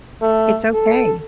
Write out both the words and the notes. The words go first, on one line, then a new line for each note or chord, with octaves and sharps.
It's okay.
A3
A4